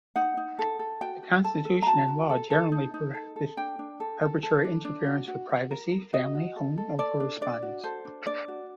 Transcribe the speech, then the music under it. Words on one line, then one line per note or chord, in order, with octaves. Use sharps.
The constitution and law generally prohibit arbitrary interference with privacy, family, home, or correspondence.
D#4 F#5
D#4
A4
A4
F#4 G5
F#4
A4 A5
A4
A#5
F#4 A5
F#4
A4
A4
D#4
D#4
A4
A4
D4 G5
D4
A4
A4
A4
D4
D4
F#4
F#4
F#4
A#4
A#4
F#4 D#5
F#4
A4
A4
A4 D5
D4
D4 D5
F#4
A4 C5
D4
D4 D5
F#4